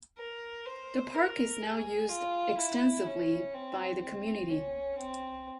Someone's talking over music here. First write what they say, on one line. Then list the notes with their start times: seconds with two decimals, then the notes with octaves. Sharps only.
The park is now used extensively by the community.
0.18 A#4
0.66 C5
1.14 A#4
1.62 G#4
2.09 F4
2.57 E4
3.06 C#4
3.54 C4
4.02 C4
4.50 C#4
4.98 C4